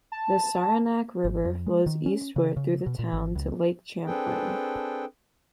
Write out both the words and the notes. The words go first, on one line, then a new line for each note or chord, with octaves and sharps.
The Saranac River flows eastward through the town to Lake Champlain.
A5
G#1
F2
G#3
D#3
C#4
C#3
C#3
B2
A#2
G#1
C#2
C4 D4 G#4 A4 B4 G5